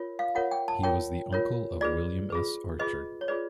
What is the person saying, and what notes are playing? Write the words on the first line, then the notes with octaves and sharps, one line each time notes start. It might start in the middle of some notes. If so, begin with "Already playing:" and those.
He was the uncle of William S. Archer.
Already playing: F4 A#4 C#5
F5
F4 A#4 C#5 F#5
G5
A5
F4 A#4 C#5 G5
F4 A#4 C#5
F4 G#4 B4 D5
F4 G#4 B4
F4 G#4 B4 D#5
C#5
F4 G#4 B4 D5